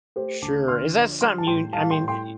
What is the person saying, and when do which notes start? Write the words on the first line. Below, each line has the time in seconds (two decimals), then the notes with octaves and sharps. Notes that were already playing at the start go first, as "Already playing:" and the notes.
Sure. Is that something you, I mean,
0.16 A3 G4 C5
0.42 D2 A5 D6
0.68 D3 C6 F6
0.95 F3
1.21 G3 C6 F6
1.38 A5
1.47 A2 G5 C6
1.73 G3 F5 A5
1.91 G5 C6
1.99 A2
2.08 G5 C6